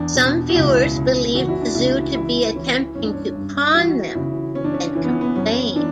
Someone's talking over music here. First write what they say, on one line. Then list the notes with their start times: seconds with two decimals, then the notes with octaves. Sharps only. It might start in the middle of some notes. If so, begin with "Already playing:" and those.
Some viewers believed the zoo to be attempting to con them and complained.
Already playing: E2 D4
0.15 B2
0.50 F#4
0.55 C#2 E4
0.95 C#3
1.34 E3 F#4
1.48 E4
1.61 D4
1.75 C#2 E4
2.15 E3 E4
2.55 E3 C#4
2.95 G2 C#4
3.04 D4
3.13 C#4
3.35 G2
3.75 E3 F#4
4.15 C#3 E4
4.55 E3 C#4
4.64 D4
4.74 C#4
4.95 E3 C#4
5.04 B3
5.21 B3
5.36 F#2 C#4
5.75 E3 D4